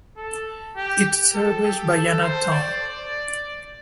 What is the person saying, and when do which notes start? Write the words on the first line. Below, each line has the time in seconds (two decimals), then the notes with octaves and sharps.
It serves Bayana town.
0.17 A4
0.76 G4
1.35 A4
1.65 G4
1.94 A4
2.23 C5
2.52 D5